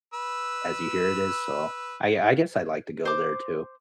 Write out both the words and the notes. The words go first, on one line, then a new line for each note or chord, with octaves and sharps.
as you hear it is, so, I I guess I'd like to go there too.
B4 E6
C5 D6